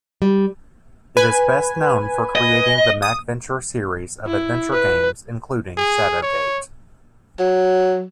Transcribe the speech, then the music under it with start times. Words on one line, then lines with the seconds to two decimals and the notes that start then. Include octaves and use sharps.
It is best known for creating the MacVenture series of adventure games including Shadowgate.
0.22 G3
1.17 B4 G#5
2.35 D#5
3.02 D#6
4.27 E4
4.72 B4
5.77 G#4
6.22 C#5
7.39 F#3